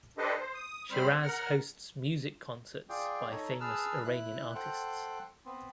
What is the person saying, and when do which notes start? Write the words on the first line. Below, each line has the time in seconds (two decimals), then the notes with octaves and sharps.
Shiraz hosts music concerts by famous Iranian artists.
0.18 D4 G4 A4 B4 C5 D#5
0.39 C5
0.54 D#6
0.91 F#2 G3 C4 C5 B5 F6
1.09 C4
1.23 A#4 F#5 F6
2.89 F4 G#4 D5 G5
3.31 D#4 A4 C#5
3.60 G#4 B4 A5 E6 F6
4.04 E4 F#6
4.55 A4 C5 F#5 G5
5.46 B3 C4